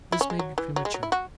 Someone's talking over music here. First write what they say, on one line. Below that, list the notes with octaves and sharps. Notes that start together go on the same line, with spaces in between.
This may be premature.
E4
C#4
G#3
F#3
E3
F#3
G#3
F#3
E4
F#4